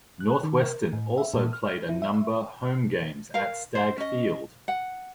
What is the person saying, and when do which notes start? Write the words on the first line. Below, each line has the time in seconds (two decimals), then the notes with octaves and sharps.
Northwestern also played a number home games at Stagg Field.
0.20 F#6
0.43 D#3
0.62 A#4
0.93 A2
1.18 E5
1.34 A#2
1.53 F6
1.89 E4
2.02 E5
3.34 A#4 F5
3.75 C5
3.98 C#4 D#5
4.68 F#5